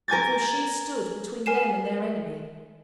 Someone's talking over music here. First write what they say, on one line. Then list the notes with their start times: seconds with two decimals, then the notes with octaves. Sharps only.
For she stood between them and their enemy.
0.08 A#4 G#5 G#6 A6
1.46 A#4 G#5 C7 E7